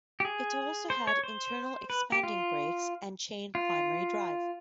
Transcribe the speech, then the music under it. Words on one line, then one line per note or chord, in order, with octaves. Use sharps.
It also had internal expanding brakes and chain primary drive.
G4
G#4
C5
C#5
C5
B4
G4
F4
F4